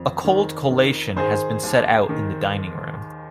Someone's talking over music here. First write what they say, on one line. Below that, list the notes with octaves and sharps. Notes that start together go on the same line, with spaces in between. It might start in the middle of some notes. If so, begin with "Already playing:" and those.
A cold collation has been set out in the dining-room.
Already playing: F2 D#3
D#3
D#3
D#3 G#4 C5
D#2
D#3